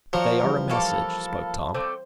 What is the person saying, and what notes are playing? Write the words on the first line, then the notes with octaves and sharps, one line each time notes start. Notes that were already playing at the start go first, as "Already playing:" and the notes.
"But they are a message," spoke Tom.
F3 F#4 C#5 D5 A#5
E3 G3
A#3 F4 A4 F5 A5 B5 C#6
A3 C4 C5 D5